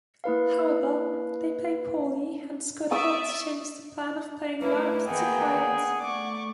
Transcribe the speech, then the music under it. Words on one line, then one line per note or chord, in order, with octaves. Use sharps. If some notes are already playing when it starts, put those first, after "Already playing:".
However, they play poorly, and Squidward changes the plan of playing loud to quiet.
A#3 E4 B4 F5
D5 E5 C#6 D#6 E6
A3 A#3 E4 B4
D#3 A#3 B3 G#4 F#5 G5
A3 D5 C#6 D6